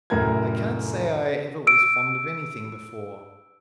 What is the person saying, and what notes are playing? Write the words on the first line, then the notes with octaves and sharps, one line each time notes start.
I can't say I ever was fond of anything before.
F1 F#2 A2 A#4 A#5 G#6
E6 D7